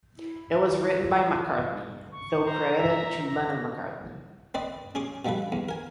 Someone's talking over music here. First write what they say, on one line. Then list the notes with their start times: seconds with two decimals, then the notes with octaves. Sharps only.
It was written by McCartney, though credited to Lennon-McCartney.
0.17 E4
0.96 F4
2.12 C#6
2.45 C5 A#5
2.78 E5
3.28 E5 A#6
4.54 C4 B4 C5 D5 D#5
4.95 C#4 G#4 C6 D6
5.25 B2 F3 G3 A4 B4
5.52 E2
5.69 A#4 G#5